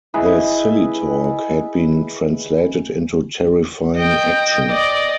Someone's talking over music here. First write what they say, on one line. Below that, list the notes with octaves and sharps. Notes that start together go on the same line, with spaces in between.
The "silly talk" had been translated into terrifying action.
E4 G#4 B4 D#5
D#5 G5
D5 D#5